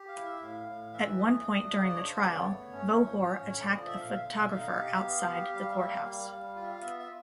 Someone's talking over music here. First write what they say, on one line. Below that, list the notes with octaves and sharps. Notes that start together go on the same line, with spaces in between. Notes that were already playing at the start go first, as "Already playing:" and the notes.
At one point during the trial, Vohor attacked a photographer outside the court house.
Already playing: G4
F5
E4
E5
A2 F5
A2
E3 E5
A3 D#5
D4
C#3
D5
C#3 C#5
C5
B3 D5
C#5
A3
C#4
F3
C#4
D3 C#5
D5
F3 D#5
E5
D3 F5
E5
F5
D3
E5
D#4 F5
G4
B3
G4
G3 F5
E5
A#3
F5
G3 F5
G3
F4 F5
E5
F5
B3 E5
E5